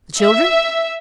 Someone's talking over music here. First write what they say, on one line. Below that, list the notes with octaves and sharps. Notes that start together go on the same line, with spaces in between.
The children?
E5